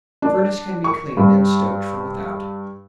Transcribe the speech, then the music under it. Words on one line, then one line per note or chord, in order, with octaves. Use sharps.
The furnace can be cleaned and stoked from without.
D4
C#6
G2